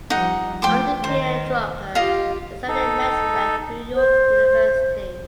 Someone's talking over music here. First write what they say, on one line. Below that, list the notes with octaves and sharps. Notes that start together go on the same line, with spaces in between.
Under Peter Drucker he studied management at New York University.
F3 G3 D#4 F#5
F3 A3 G5 C6 D6
D#3 C5
F4 G4 D#5 F5
D#4 A4
C5